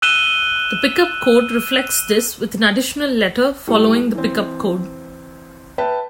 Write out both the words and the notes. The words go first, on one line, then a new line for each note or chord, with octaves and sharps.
The Pickup code reflects this with an additional letter following the pickup code.
E6 F#6 D#7 E7 G7
A2 G3 A3
E3 C4
B4 E5 G5 A5